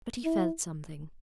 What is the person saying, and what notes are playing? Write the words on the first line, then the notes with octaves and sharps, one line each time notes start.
But he felt something.
E4